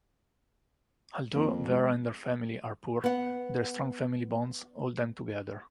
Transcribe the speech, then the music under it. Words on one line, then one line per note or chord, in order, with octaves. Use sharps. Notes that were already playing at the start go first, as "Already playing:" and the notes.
Although Vera and her family are poor, their strong family bonds hold them together.
F2 A#3
G#3
B3 F#5